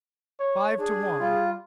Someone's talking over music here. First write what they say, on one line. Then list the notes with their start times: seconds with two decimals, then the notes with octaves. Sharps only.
Five to one!
0.40 C#5
0.78 D4 G#4
1.20 G3 F4